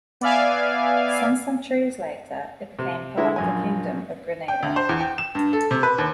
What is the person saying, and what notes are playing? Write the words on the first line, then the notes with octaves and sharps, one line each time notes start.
Some centuries later, it became part of the kingdom of Granada.
B3 D5 E5 F5 G#5
C3
D3 G#3 E4 E5
A#1 F#2 G#5
G5
D2
C5
E2
G5
E7
G2
A4
C3
B4
D#2